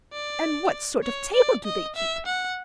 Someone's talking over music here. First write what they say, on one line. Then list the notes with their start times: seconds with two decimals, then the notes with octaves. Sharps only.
And what sort of table do they keep?
0.13 D5
1.04 C#5
1.34 D5
1.65 D#5
1.96 E5
2.26 F#5